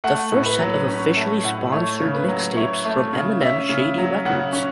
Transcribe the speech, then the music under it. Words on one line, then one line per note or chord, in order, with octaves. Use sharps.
The first set of officially sponsored mixtapes from Eminem's Shady Records.
A3 F#5
A2
B4
F#3
C#4
A3
A2 F#5
A3 C#5
C#3
B4
F#3
E4 C#5
A3
C#3
C#4 E5
C#3
F#3
C#3 F#5
C#4